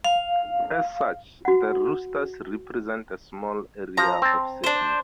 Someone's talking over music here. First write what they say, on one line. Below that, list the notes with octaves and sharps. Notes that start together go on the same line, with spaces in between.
As such, the Roosters represent a small area of Sydney.
F5
F#4 F#5
F3 A#5
C4 A5
D4 C5